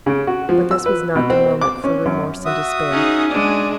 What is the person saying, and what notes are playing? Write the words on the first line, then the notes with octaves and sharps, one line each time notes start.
But this was not the moment for remorse and despair.
C#3
F#4
F3
E6
B4
B2
C4
D6
C#4
F#2
F#4 E5 D#6
C#4 D#4 G#4
G#3 D4 D5 G#5